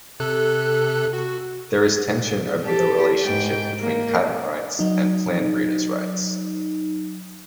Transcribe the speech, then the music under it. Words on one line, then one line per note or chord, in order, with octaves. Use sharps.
There is tension over the relationship between patent rights and plant breeder's rights.
C3 A4 F#6
F#4
G4 A4
G#2 G5
A#3
F#3 D#4